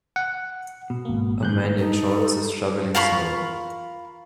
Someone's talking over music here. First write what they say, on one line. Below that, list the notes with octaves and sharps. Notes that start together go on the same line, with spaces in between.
A man in shorts is shoveling snow.
F#5
B2
G#1 A#3
F#2 D#3 F#6 G6
D#4 A4
F4 A#4 B5 C#6